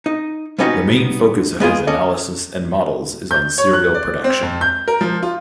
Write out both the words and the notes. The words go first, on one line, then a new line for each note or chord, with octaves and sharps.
The main focus of his analysis and models is on cereal production.
D#4
G3 B3 C#4 D#4 F#4
G#3 B3 F4 G#4
C#4 A4 D5 D#5
G6
C#5
F#6
D5
C4
F2
G6
A#4
F3
F4